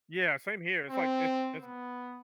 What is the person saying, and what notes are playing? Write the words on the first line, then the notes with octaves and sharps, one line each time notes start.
Yeah, same here. It's like it's it's
C4
B3